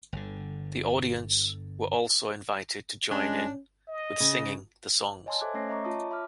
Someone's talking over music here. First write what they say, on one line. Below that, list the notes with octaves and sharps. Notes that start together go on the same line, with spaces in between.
The audience were also invited to join in with singing the songs.
G1 D3
G#3 C#4 D4
D#5
C#3
C#5 D#5 G#5 A5 C6
A4 C5 E5 D6 F#6 G#6
A3 C#4 C#5 E6 A#6 C7
D#5 E5 A#5 C#6 D6
F4 C#5 A5 D#6
E5 B5 D6 F6